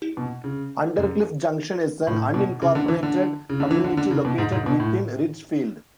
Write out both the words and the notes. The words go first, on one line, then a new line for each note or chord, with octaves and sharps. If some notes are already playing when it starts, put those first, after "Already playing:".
Undercliff Junction is an unincorporated community located within Ridgefield.
B2
C#3
F#2
A2
B2
C#3
D3
E3
D3
C#3
D3
E3
D3
D3
C#3
B2
G#2
G#2
B2
A2